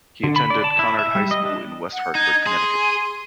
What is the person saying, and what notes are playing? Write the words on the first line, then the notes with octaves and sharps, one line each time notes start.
He attended Conard High School in West Hartford, Connecticut.
D3
B5
D5
A5
E4
E5
G3
D#5
D4
F#5
D#4 G#6
G#4 C6